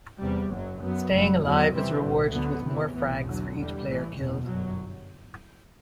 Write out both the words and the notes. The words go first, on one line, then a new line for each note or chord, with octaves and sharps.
Staying alive is rewarded with more frags for each player killed.
E2 C3 G3
F#1 F#2 F#3
F#2 F#3 B3
F#1 F#2 F#3 A3
E2 D3 F#3 B3
E2 C3 E3 G3 C4
B1 A2 G3
D2 D3 F#3 B3
E2 C3 E3
B1 A2 E3 B3
E2 D3 F#3
E2 D3 G3
A1 A2 E3
F#1 E2 B2
G1 F#2 F#3